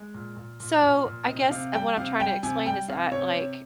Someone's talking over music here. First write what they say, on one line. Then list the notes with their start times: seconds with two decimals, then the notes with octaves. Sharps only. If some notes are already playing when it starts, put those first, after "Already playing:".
so, I guess, uh, what I'm tryna explain is that, like,
Already playing: G#3
0.14 A#2
0.37 A#2
0.60 A#2
0.83 A#2
1.05 A#2
1.28 C3 D#5
1.51 C3 F5
1.74 G3 G5
1.97 C3 F5
2.20 G3 G5
2.43 C3 G#5
2.66 G3 G5
2.88 C3 F5
3.11 C3 C#5
3.34 C3